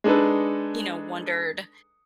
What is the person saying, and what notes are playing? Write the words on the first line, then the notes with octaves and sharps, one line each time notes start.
you know, wondered
G#3 D4 D#4 A4 B4